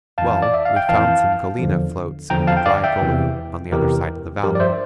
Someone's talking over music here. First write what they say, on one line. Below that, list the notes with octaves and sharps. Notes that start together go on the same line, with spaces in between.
Well, we found some galena "floats" in a dry gully on the other side of the valley.
F2 E3 F5 A5
D5
E5
F5
G5
F2 E3 F5 A5
E2 D3 F3
E2 D3 F3 G5 A#5
F5 A5
G5
D5 F5
E5 G5
E2 C3 E3
E2 C3 E3 G4 A#4
G2 F3 G4 A#4
D5
C5 E5